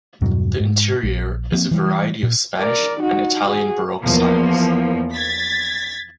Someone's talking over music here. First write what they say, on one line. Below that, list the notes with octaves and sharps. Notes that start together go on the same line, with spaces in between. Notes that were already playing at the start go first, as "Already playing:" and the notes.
The interior is a variety of Spanish and Italian Baroque styles.
E2 G2 B2 F#3
G#2
A#1
F3 A#3 C4
E3 G3
A#2
A#4 D5
D#4 F#4
F#4 G#4
E2 F3 A#3
G#6 A6 B6